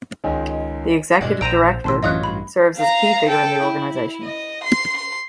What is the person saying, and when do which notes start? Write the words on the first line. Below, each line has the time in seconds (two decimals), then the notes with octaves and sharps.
The Executive Director serves as a key figure in the organization.
0.24 C#2 D#3 G#3 C#5 D#5 G#5
1.21 G2 B2 G#3 D4
1.41 A#1 C5 A#5 E6 D7 D#7
1.84 A1 B2 A5 C6 E6
2.03 F#2 E3 F#3 F4 C#5 D#5 D#6 F#6
2.23 G2 B5
2.77 F5 A#5
3.29 A4 G5
3.64 E4
4.24 D#5
4.64 C6
4.97 C6